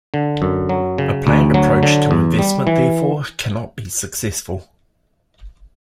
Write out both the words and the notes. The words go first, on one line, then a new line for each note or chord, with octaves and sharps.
A planned approach to investment, therefore, cannot be successful.
D3
F#2
F#3
C#3
D2
F#3
D3
E2
G3
E3